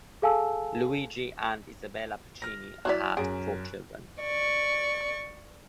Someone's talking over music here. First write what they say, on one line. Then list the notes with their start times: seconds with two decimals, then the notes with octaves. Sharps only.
Luigi and Isabella Pacini had four children.
0.22 G#4 A4 F5 G#5 A5 E6
2.42 F6 A#6
2.85 F#3 E4 D5 F#6 B6
3.17 F#2 G#4 D7
4.21 D5 C#6